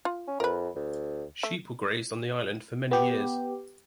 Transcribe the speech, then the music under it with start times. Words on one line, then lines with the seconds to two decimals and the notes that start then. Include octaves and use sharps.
Sheep were grazed on the island for many years.
0.05 F4
0.28 C#4
0.40 F2 A#4 B4
0.76 D2
1.43 A3
2.91 B3 G4